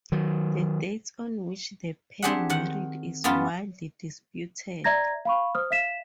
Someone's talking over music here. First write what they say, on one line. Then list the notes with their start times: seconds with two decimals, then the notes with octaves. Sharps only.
The dates on which the pair married is widely disputed.
0.12 D#3 F#3
2.22 C4 D4 G4 G#4 E5 F#5
2.50 D#3 F#5
3.24 F#2 G3 B3 F4 A5
4.84 D5 E5 A#5 G#6 A#6
5.25 F5 B5 C#6
5.55 C5 D#6 F6
5.71 E5 F5 B6 E7